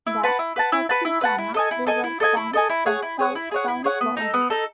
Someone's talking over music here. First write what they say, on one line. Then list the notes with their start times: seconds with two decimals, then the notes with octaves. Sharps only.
The Susquehanna River forms the south town boundary.
0.07 E4
0.23 B4 F#5 A5
0.39 E4
0.56 B4 F#5 A5
0.72 E4
0.89 B4 F#5 A5
1.05 E4
1.21 B4 F#5 A5
1.38 E4
1.54 A4 D#5 G#5
1.71 E4
1.87 A4 D#5 G#5
2.04 E4
2.20 A4 D#5 G#5
2.37 E4
2.53 A4 D#5 G#5
2.70 E4
2.86 G#4 C#5 F#5
3.02 E4
3.19 G#4 C#5 F#5
3.35 E4
3.51 G#4 C#5 F#5
3.68 E4
3.84 G#4 C#5 F#5
4.01 B3
4.17 D#4 A4
4.34 B3
4.50 D#4 A4